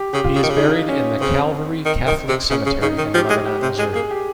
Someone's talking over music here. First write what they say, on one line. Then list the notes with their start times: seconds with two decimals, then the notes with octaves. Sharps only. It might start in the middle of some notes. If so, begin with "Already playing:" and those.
He is buried in the Calvary Catholic Cemetery in Lebanon, Missouri.
Already playing: G4
0.13 C#3 G4
0.24 F4
0.35 C#3
0.43 D#3
0.50 C#3
0.57 D#4
0.88 C#4
1.21 C#3 C4
1.85 D#3
2.07 D#3
2.28 C3
2.50 C#3 C#4
2.66 C#3
2.82 C#3 D#4
2.98 D#3
3.14 F3 G4
3.30 G#3
3.46 G4
3.63 C3
3.78 G#3 G#4
3.93 A#3 G#4
4.11 G4